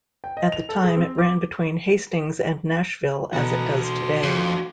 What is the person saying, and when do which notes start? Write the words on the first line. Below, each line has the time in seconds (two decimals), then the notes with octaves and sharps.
At the time, it ran between Hastings and Nashville as it does today.
0.24 G5
0.37 D#5
0.52 F7
0.69 A4
0.84 G#4
0.97 C4
1.18 D6
3.33 B2 E3 D#4 F#4 A4 B4
3.84 C6
4.23 F2